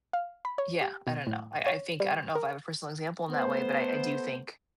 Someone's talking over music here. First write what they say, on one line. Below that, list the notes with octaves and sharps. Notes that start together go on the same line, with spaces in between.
yeah, I don't know. I I think I don't know if I have a personal example in that way, but I I do think
F5
B5
C#5
G4
B2
A2
C#5
G3
A#4
A3 B3 C5